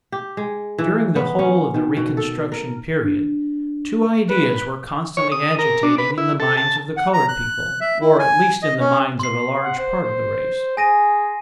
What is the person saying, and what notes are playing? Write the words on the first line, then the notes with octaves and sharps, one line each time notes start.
During the whole of the Reconstruction period two ideas were constantly agitating in the minds of the coloured people, or, at least, in the minds of a large part of the race.
G4
G#3
E3
B3
C#4
D#3
B2
A4
A#4
D4
B4
C#5
D#6
A#4
D4
B4
E4
A4
A5
F#5
A#5
F#6
E5
E4
G#5
D#5
C#4
C6 C7
F#5
C5
C5
G#4 G#5 A#6 D#7